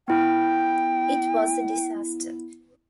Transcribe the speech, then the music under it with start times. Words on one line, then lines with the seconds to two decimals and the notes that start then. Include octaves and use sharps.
It was a disaster.
0.08 B3 E4 G5